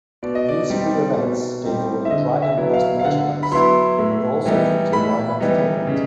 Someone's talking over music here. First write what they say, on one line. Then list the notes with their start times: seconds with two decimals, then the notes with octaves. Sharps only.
These free events gave away "Dragon Quest" merchandise and also featured live entertainment.
0.23 B2 D5
0.35 D#5
0.48 D5
0.70 G3 C4 D#4
1.16 B2
1.64 G3 C4 D#4
2.05 E5
2.10 D3 D#5
2.42 E5
2.57 F#3 B3 E4
2.73 F5
2.99 F5
3.05 D3 F#5
3.43 B5
3.52 F#3 B3 E4 C6
3.99 A2
4.46 E3 G3 B3 D#4
4.93 A2 B5
5.40 E3 G3 B3 D#4
5.87 C#3